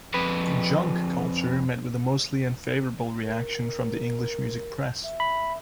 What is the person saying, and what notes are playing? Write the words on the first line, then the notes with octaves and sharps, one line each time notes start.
"Junk Culture" met with a mostly unfavourable reaction from the English music press.
F2 B4
A#4
E5
B5